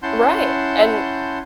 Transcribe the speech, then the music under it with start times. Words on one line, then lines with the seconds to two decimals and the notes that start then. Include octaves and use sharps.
Right, and
0.03 C#4 E4 F#5 A5 C6 G6